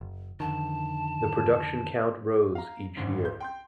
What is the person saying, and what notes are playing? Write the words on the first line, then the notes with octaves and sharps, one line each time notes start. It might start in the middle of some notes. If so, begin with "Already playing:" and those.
The production count rose each year.
F#1
F2 D3 D#3 A5
F5 A#5
G#1 D2 G#2 C#3
C#2 G6
G5 C6 G6